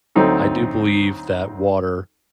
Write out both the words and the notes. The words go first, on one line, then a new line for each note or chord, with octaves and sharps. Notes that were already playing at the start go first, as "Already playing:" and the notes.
I do believe that water
D2 F#3 C4 D#4 A4